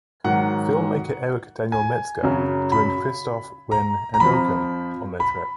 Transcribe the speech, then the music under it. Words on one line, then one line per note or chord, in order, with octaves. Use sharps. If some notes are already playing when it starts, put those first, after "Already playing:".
Filmmaker Eric Daniel Metzgar joined Kristof, Wen and Okun on their trip.
G#2 D#3 F#3 F#5
G#5
F#2 C#3 F#3
B5
A#5
A#5
F2 F3 B5
B5